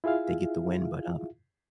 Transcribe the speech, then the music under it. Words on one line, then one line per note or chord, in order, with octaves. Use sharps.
they get the win. But, um,
E4 F4 G#4 E5 F5